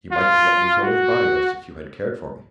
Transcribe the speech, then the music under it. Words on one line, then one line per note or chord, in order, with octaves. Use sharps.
You might have let me go with Barrios if you had cared for me.
F4
F#4